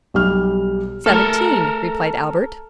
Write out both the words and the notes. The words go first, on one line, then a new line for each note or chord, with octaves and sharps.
"Seventeen!" replied Albert.
B1 G3 F6
A3 A4 A#4 F6